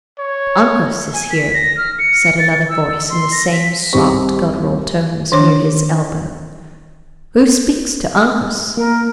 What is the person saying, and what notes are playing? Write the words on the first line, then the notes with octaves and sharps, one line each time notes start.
"Uncas is here," said another voice, in the same soft, guttural tones, near his elbow; "who speaks to Uncas?"
C#5
G#5
B6
A#6
F6
C#7
A6
A6
E6
E6
C6
A#6
B6
C2 C3 G3 G#4 C5 C#6
D#3 D4 C#5 D6
A#3 A#4